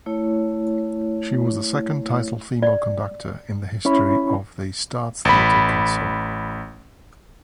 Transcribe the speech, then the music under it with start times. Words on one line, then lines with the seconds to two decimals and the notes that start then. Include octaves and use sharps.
She was the second titled female conductor in the history of the Staatstheater Kassel.
0.06 A3 E4 C#5
2.63 D5
3.85 C#4 E4 C#5 B5
5.25 A1 B5